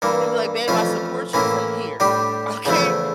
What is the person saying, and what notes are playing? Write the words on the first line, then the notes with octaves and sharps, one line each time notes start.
and be like, "Babe, I support you from here, okay?"
G2 E3 A#3
F2 E3 A3 C#4 F4
A2 E3 A#3 C#4 E4
A2 G3 D4 G4
E2 C#3 F3 A3 E4